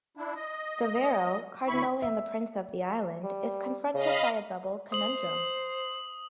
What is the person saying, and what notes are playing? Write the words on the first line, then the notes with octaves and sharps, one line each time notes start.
Severo, Cardinal and Prince of the island, is confronted by a double conundrum.
D4 E4
D#5
D2 E4 B5 C#6
E5
G3
C#3 D#5 F5 B5
C5 D#6 F#7